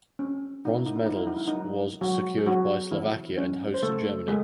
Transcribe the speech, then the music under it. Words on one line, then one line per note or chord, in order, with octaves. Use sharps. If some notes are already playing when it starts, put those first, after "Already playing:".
Bronze medals was secured by Slovakia and host Germany.
C4 C#4
C4 D#4
E4
D#4
E4
F#3 D#4
E4
D#4
E4
D#4
F#3
F#3 G#3 F#4
G#4
F#3 C4 F#4
E3 C4 E4
F#3 C#4
C5
C#3 A3 A4
C#3 G#3 G#4